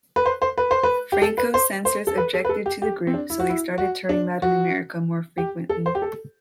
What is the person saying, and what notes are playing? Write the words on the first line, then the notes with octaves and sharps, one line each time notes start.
Franco's censors objected to the group, so they started touring Latin America more frequently.
B4
C5
C5
B4
C5
B4
G4
A4
B4
C5
C5
A4
B4
A4
B4
A4
G4
G4
C4
D4
E4
F#4
E4
F#4
D4
F#4
G4
A4
C5
G4
A4